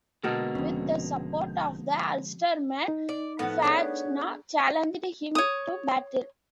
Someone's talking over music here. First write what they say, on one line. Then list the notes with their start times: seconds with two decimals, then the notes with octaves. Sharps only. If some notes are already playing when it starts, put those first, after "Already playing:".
With the support of the Ulstermen, Fachtna challenged him to battle.
0.23 B2 D3 G#3 A#3 A4 A#4
0.55 E1 F2 C#3
2.88 D#4
3.09 D5
3.39 A2 F3 B3 F#5
3.63 D4 G4 G#4 C#5
5.35 C#5 D#6